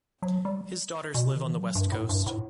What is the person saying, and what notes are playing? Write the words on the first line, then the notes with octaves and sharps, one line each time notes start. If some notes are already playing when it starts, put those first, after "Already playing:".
His daughters live on the West Coast.
F#3
G3
B2
C3
D#3
E3
F#3
G2
A2
G2
A2